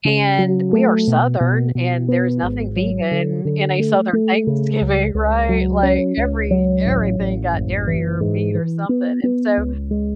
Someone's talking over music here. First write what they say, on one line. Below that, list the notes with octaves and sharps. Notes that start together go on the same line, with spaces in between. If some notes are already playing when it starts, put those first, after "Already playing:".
and we are Southern and there's nothing vegan in a Southern Thanksgiving, right? Like every everything got dairy or meat or something, and so,
C#3
F#3
A3
B2
B2
B2
B3
G#1
F#3
D3
D3
A3
A3
C#3
C#2
C#2
F#3
C#4
C#2
F#3
A1
A1
F#1
E3
G#2
E3
B3
B3
C#2
G#3